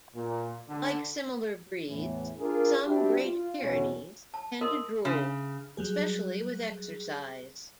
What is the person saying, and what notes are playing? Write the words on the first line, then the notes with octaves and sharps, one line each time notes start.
Like similar breeds, some Great Pyrenees tend to drool, especially with exercise.
A#2
D3
E2 A2 E3
D4 F4 G#4 A#4
G3 C4 D4 E4 F#4 G4
F4
B1 E2 B2 C#4 C#5
A5
A4 A#4 D#5 C6
C#3
F#3 G3 G#4